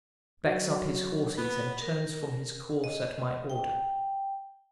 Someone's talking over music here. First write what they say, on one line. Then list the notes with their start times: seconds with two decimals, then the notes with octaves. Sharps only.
Backs up his horses and turns from his course at my order!
0.46 F#3
1.38 B3
1.82 A#4
2.84 D#5
3.50 G5